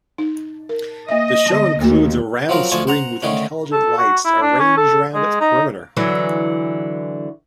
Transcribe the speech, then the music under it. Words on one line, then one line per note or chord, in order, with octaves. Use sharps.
The show includes a round screen with intelligent lights arranged around its perimeter.
D#4
A#4
A#3 D#5 E5
D3 B3 A5
D#2 A3 A#3 F#4
F3 F#3 C4 F4 A#4
D2 F3 F4 G#5 A5 C#6
C5 F#5 A#5
D3 D#3 A3 C#4
A4
F#4
E4
D4
C#4
A4
G#3
D#4
D3 E3 F#3